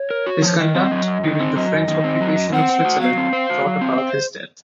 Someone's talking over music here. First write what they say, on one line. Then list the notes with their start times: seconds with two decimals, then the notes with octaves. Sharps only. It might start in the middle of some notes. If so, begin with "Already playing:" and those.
His conduct during the French occupation of Switzerland brought about his death.
Already playing: C#5
0.10 A#4
0.26 F#4
0.42 F3
0.58 D#3 D#5
0.75 C4
0.91 F#3
1.07 F#2
1.23 D#3
1.39 C4
1.56 F#3 D#5
1.72 F#2
1.88 D#3
2.04 C4
2.21 F#3
2.36 F#2
2.53 C4 F#5
2.69 C5
2.85 F#4
3.00 F#3 F5
3.18 C4
3.33 C5
3.50 F#4
3.66 F#3
3.81 C4
3.98 C5